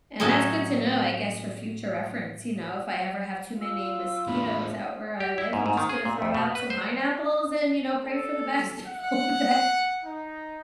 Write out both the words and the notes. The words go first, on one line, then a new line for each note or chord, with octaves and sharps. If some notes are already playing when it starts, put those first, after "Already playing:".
And that's good to know, I guess, for future reference, you know, if I ever have too many mosquitoes out where I live, I'm just gonna throw out some pineapples, and, you know, pray for the best, and hope that
A2 F#3 C#4 A4 C#5 D#5
F4 E6
E2 A2 D4 B5
G4
E4
G#2
G#2
D#3
G#4
A#2
F2
B2
B4
C5
A4
F#5
D#4